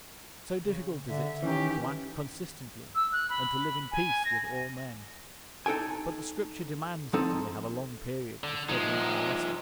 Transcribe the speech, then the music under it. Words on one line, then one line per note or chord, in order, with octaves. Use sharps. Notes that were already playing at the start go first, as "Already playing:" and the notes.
So difficult is it to act consistently, and to live in peace with all men! But the Scripture demands it, and we have a long period for studying our lesson.
C#3
D3 E5
D#3 E3 C#4 G4
E6
F#6
B5
G#5
A#6
D#4 A4 G5 G#5
F3 C4 D#4 A4
D3
F3 G#3 D#4